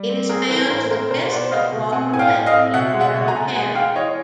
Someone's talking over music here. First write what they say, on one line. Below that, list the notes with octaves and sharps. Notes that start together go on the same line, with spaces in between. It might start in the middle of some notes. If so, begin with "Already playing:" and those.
It is found to the west of Walker Lake in Mineral County.
Already playing: G3
C4
C4 G#4 A#4
E3 A4 B4
A2 A#4 C5
C4 A#4 C5
B2 A#4 C5
B3 C5 D5
B3 D#5 F5
B2
C4 F#5 G#5
A2 G#5
F5 G5
A2
D#5 F5
C4
B2 E5 F#5
G#3
E5 F#5
B2
G#5 A#5
B2
G#3 F#5 G#5
G#3 F5 G5
E3 C#5 D#5